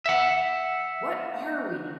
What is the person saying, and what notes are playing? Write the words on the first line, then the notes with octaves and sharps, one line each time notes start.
What Are We?
E5 F#5